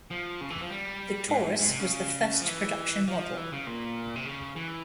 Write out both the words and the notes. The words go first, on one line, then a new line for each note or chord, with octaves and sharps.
The "Taurus" was the first production model.
F3
C#3
E3
F3
G3
G#2
G#2
C3
C#3
F3
E3
F3
E3
C#3
A#2
C3
C#3
E3